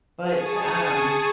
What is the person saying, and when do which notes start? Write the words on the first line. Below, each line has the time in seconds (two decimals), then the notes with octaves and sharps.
but, um,
0.21 G#4 G#5 A5 C#6 D#6